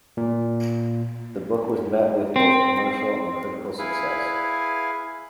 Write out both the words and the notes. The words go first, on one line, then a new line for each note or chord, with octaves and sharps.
The book was met with both commercial and critical success.
A#2
C4
E4 G#4 B4 F5